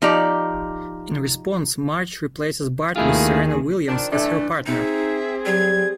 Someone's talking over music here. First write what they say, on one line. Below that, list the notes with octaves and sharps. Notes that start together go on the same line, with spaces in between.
In response, Marge replaces Bart with Serena Williams as her partner.
F3 D#4 G4 D5 A#5
D#2 D#3 A3 E4 F4 G#4
D#3 F3 D4
E3 A3 D4
C4 D#4 G#4 E5
F#3 G3 G#6